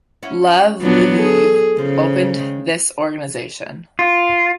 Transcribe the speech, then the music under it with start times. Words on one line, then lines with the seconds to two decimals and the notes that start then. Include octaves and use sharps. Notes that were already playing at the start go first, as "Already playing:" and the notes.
Lev Leviev opened this organization.
0.23 C#4 E4 F#4
0.82 D#2 A#2 F#3 B3 D4
1.18 E2 G#4 A4
1.78 C#3 F3
2.36 D#3 G3 G#3
3.99 F4